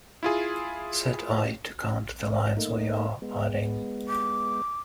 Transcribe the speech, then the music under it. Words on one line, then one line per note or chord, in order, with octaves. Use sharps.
Set "i" to count the lines we are adding.
E4 F4 G#4
A3 A#3 D#4
G#3 B3
D6